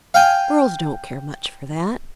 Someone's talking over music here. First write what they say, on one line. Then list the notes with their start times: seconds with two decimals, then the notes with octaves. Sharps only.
"Girls don't care much for that."
0.14 F5 G5 G#5